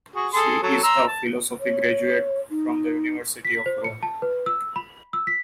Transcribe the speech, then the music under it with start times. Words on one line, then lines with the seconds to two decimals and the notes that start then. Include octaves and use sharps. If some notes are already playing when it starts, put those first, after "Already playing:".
She is a philosophy graduate from the University of Rome.
0.16 F#4 G#4
0.34 G#4 A4 C6
0.63 F#3 A4
0.83 A#5 C6 E6
1.08 A5
1.60 C#5
2.50 D#4
3.45 B6
3.66 C5
3.84 C#7
4.03 A5
4.22 B4
4.46 E6
4.76 B5
5.13 E6
5.27 B6